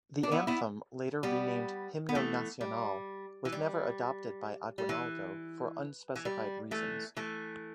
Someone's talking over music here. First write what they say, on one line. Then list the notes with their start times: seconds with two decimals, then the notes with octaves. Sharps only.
The anthem, later renamed "Himno Nacional", was never adopted by Aguinaldo for unspecified reasons.
0.23 D4
0.31 B3 E4
0.47 B3 E4
1.23 G3 B3
2.09 B3
2.15 E3 A3
2.61 G3
3.45 E3
3.52 G3
4.78 G3
4.89 E3
6.16 E3
6.25 G3
6.71 E3 A3
7.17 E3 A3